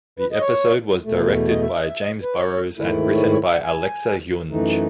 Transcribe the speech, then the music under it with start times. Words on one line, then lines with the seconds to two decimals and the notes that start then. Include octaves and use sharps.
The episode was directed by James Burrows and written by Alexa Junge.
0.19 B4
0.32 D#5
0.41 C#5
1.05 E2 B2 A3
1.48 D#5
1.62 E5
1.74 D#5
1.87 E5
2.01 D#5
2.22 B4
2.35 C#5
2.78 G#2 D#3 A3 E4
3.15 C#5
3.20 B4
3.32 C#5
3.43 E5
3.53 F#5
3.64 G#5
4.50 F#2 E3 A3 D#4